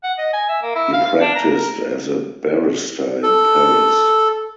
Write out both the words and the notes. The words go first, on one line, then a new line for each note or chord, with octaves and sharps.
He practised as a barrister in Paris.
F#5
D#5
G#5
E5
A#3
E4
F5
F5
D4
A#5
A#4
A4